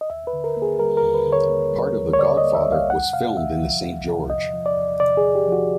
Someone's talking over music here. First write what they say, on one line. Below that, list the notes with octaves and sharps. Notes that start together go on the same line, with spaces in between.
Part of "The Godfather" was filmed in the Saint George.
D#5
D#2 E5
B4
D3
A#4
A#3
G#4
G3 A#4
A#4
D#2
B4
D3
C#5
A#3
G3
D#2
C#5
D3 D5
D#5
A#3
E5
G3
F5
E2 F#5
C3 F5
E2 E5
F3
E2
C3
E2 D#5
F3
D5
E2
C3 D5
G#4
E2
G4
F3 F#4